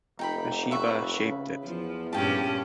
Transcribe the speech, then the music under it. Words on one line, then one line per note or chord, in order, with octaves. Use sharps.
Hashiba shaped it.
F1 D#4 G5 B5
B4 E5 C#6
C#3
E2 F3
G2 A#2 C#4 G5 A5